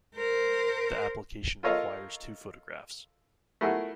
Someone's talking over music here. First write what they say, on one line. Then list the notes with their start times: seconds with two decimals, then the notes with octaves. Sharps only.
The application requires two photographs.
0.16 A#4 C5
1.63 F4 A4 A#4 C#5 D#5 F5
3.61 A3 B3 E4 F#4 G#4 A#4